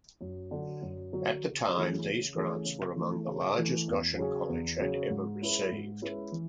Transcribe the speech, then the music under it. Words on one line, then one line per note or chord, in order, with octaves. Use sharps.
At the time, these grants were among the largest Goshen College had ever received.
F#2
D3 F#3
F#2
D3 F#3
C#3
E3 A3 C#4 G#4
C#3
E3 A3 C#4 G#4
C#3
E3 A3
C#3
E3 A3
E2
C#3 F#3 C#4 G#4
E2
C#3 F#3 C#4 G#4
G#2
G#3 C#4 E4 B4
G#2
G#3 C#4 E4 B4
E3